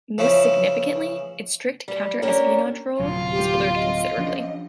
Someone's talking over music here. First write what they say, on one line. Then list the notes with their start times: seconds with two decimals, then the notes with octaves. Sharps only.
Most significantly, its strict counter-espionage role blurred considerably.
0.18 C#3 E3 F3 C#4
1.88 G3
2.22 A#3 C#4 D4 G4 A#4
3.00 D1 C3 F#3 F4
3.32 G4
3.75 D#5
4.18 F3 C#4 D4